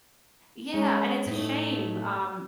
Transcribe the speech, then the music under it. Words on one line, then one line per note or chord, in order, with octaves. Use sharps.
yeah, and it's a shame, um,
G#3 C#4
A2 A3 D#4